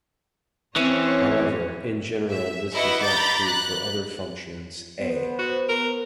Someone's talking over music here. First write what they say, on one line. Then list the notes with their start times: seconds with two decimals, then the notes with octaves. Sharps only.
However, in general this is not true for other functions "A".
0.76 E3 C4 C#4 C#5
2.31 E5
2.72 E4 F#4 B4 D#5 F#5
3.03 A#5 B5 D6 G6 A6
3.47 F#6
5.00 B3 C5
5.39 F#4
5.69 A#4